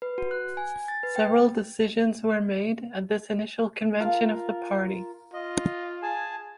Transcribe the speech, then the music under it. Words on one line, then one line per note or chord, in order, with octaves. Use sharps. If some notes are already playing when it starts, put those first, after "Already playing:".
Several decisions were made at this initial convention of the party.
B4
F#4
F#6
G#5
A6
B4
G5
F4 A#4 F5
F4 D#5
G#4 G#5 A5